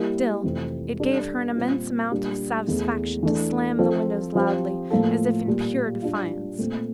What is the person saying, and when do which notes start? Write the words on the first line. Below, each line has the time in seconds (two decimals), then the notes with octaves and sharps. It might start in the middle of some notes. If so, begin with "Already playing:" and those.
Still, it gave her an immense amount of satisfaction to slam the windows loudly, as if in pure defiance.
Already playing: G3 A#3 E4 G4 A#4
0.44 F2 C3 E3 A3 C4
1.00 G3 D4 A4 D5
1.55 A#2 G3 C4 F4
2.11 A#2 G3 A#3 D4
2.67 E2 E3 A3
3.23 E3 A3 D4
3.79 F3 C4 F4 A4
4.35 F3 C4 G4 C5
4.90 A2 F3 A#3 F4 A4
5.47 A#2 G3 A#3
6.02 G3 D4 F4
6.58 A#2 A3 C4